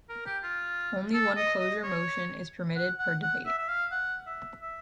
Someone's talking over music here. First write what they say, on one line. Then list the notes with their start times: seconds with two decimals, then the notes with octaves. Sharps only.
Only one closure motion is permitted per debate.
0.09 A#4
0.26 G4
0.44 F4
1.14 A4
1.37 D#5
1.60 D#5
1.84 C#5
2.76 F#5
2.99 F#5
3.22 F#5
3.46 E5
3.59 E5
3.69 F5
3.92 F#5
4.27 E5
4.62 E5